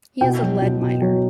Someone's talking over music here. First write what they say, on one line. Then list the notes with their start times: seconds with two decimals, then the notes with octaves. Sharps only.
He is a lead miner.
0.21 B2 G5
0.42 F#3
0.62 B2
0.81 B2
1.02 F#3